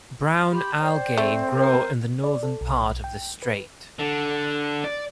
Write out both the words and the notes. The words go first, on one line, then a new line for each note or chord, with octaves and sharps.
Brown algae grow in the northern part of the strait.
G4 B5 C6
C5 D5 G5
A3 C4
A#4 C5
D5
A4
B1
G5
B4
D3
D5